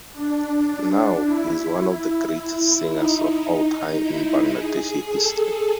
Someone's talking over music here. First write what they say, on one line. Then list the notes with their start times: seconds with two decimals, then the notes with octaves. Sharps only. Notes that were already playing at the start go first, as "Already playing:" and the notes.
Now, he is one of the greatest singers of all time in Bangladeshi history.
0.13 D4
1.24 E4
1.79 E4
2.89 D#4
4.00 E4
4.55 G#4
5.10 A4